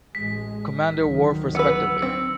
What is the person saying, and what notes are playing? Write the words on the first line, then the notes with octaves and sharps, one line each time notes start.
Commander Worf respectively.
A1 G#3 B6
D2 D#3 F#3
B3 B4 E6 C#7
C4